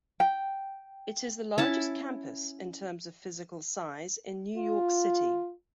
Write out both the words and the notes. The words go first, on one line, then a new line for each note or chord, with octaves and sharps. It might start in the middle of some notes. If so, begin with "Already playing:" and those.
It is the largest campus, in terms of physical size, in New York City.
G5
C#4 E4 A5
F4